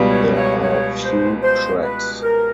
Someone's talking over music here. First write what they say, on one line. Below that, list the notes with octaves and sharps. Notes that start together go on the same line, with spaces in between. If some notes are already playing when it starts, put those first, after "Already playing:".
There are few tracks.
Already playing: C#2 B2 G3
C#5
C#5
C#5
C5
C5
B4
A#4